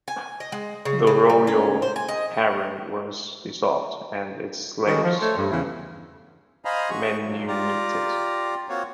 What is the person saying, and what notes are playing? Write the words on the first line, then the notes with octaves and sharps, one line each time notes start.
The royal harem was dissolved and its slaves manumitted.
G#5
D#5
G#3
C#3
C#3
G3
C#4
C5
G#5
D#5
D#3 G3 G#3 C#4 F#4 A4
F3
A3 C5 C#5
G2
E2 C#3 E3 E4
C5 D#5 F5 G#5 A#5 B5
F#4 G#4 C#6
G2 A#2 F#3
F4 G4 D5 A#5
A#3 C4 F4 F#4 C#5